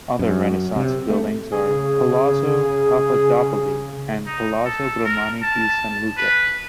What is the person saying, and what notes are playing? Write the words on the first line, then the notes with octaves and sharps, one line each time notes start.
Other Renaissance buildings are Palazzo Papadopoli and Palazzo Grimani di San Luca.
F#2
C3
A3
C#3 G#4
D#4
A4
A#4
A5
B4